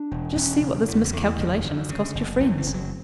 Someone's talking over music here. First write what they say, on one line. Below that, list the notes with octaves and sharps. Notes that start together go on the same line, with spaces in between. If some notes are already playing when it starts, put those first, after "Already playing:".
Just see what this miscalculation has cost your friends!'
Already playing: D4
E1
E1 C#4
C#3
E2 E3
D3
E2
E3
F#1 D3
F#2
C#3
F#1
F#1 E3
E3
F#1
F#3